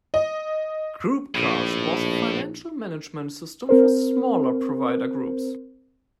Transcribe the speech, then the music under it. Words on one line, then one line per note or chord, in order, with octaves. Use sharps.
Groupcast was a financial management system for smaller provider groups.
D#5
A#1 A2
C4 A#4 C5